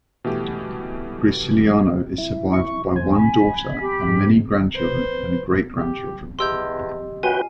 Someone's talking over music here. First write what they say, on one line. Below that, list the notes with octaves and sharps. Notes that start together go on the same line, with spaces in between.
Graciliano is survived by one daughter and many grandchildren and great-grandchildren.
B2 E3 A3 G4
E4
C#6
F2 C5 G#5
B5
G4
G#2
B4 C5
G4
E2 G4 D#5 C6 E6 G6
F#2 F4 F#4 B4 G5 G#5 C6